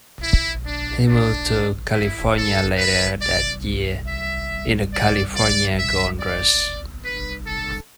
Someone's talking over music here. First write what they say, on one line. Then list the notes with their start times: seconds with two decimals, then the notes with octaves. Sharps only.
He moved to California later that year in the California Gold Rush.
0.22 E4
0.65 D4
1.08 D4
1.93 E4
2.36 A4
2.78 B4
3.21 D5
4.06 E5
4.92 D5
5.34 D5
5.77 E5
6.19 D5
7.04 B4
7.47 A4